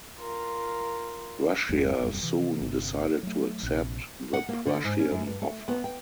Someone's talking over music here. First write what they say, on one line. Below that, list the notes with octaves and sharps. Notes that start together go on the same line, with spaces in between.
Russia soon decided to accept the Prussian offer.
F4 A#4
G1 E2 F#3 G#3
E1 F#2 G3 C4
C3 E3
G1 C3
F#3 A3
A#1 C3
F#5
A#3
D3
G#2
C#4
F#2
G2
A3
B3
G5